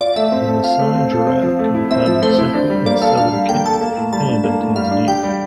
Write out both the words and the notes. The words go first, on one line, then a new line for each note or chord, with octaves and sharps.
The Masai giraffe can be found in central and southern Kenya and in Tanzania.
F4 D5
A3 E5
C4
A4
F4 F5
A3
C4
A4
C4
F3
A3
E4
C4 E5
F3 E5
A3 C5
E4
D4
G3
A#3 D5
A4 F5
D4 F5
G3
A#3 G5
A4 A5
A#3
A2
G3 A5
D4
A#3
A2
G3 F5
D4
G4 G5
G3